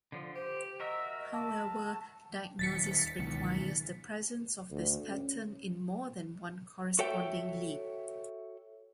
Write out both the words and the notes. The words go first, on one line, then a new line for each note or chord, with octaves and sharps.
However, diagnosis requires the presence of this pattern in more than one corresponding lead.
D3 F3
G4 C5
F#4 A#4 D#5 E5
A5
D#1 A6 B6 C#7
C#2 B2 D#3 E3
D2
C#4
F#4 A4 C#5 E5 G5